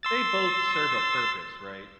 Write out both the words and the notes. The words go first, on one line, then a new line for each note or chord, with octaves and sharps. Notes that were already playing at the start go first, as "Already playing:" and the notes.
They both serve a purpose, right?
C6 E6 A6